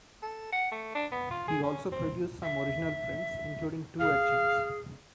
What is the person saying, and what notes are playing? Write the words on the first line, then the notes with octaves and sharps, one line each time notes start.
He also produced some original prints, including two etchings.
A4
F#5
A3
D4
B3
F4
G#4
C#4
C4
E5
G#4 F5